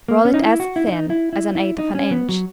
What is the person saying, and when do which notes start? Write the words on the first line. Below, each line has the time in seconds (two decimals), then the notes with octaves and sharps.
Roll it as thin as an eighth of an inch.
0.08 A#3
0.25 C#4
0.34 D#4
0.42 E4
0.60 F#4
0.76 E4
0.87 E4
0.92 D#4
1.10 E4
1.33 E4
1.55 E4
1.78 D#4
1.95 C#4
2.11 B3
2.29 F#3